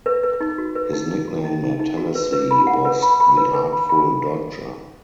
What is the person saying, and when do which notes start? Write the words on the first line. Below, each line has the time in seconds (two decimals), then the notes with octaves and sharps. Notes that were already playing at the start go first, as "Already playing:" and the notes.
His nickname at Tennessee was the artful dodger.
0.06 B4
0.23 B4
0.41 D#4
0.58 F#4
0.75 B4
0.93 D#4
1.10 D#4
1.28 F#4
1.45 D#4
1.63 D#4
1.80 D#4
1.97 F#4
2.15 B4
2.33 B4
2.51 B5
2.67 F#5
2.85 B4
3.02 B5
3.20 B5
3.37 B4
3.54 B4
3.73 B5
3.89 B5